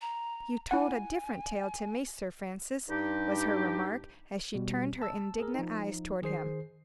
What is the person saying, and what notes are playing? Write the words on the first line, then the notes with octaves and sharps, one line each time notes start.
"You told a different tale to me, Sir Francis," was her remark, as she turned her indignant eyes toward him.
A#5
E4 F#5 G#5
G2 D#4 G4
B2 G3
A5 E6
G#4 A#4
F3 D#4
D#3 G#4 C5 C7